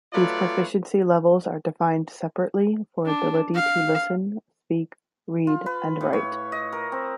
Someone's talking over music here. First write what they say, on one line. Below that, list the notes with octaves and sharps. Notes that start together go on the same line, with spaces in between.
These proficiency levels are defined separately for ability to listen, speak, read and write.
F#3 A3 F4 B4 C#5 D5
D4
F5
F4
B4
A2
C#5
D#5
A#4
C4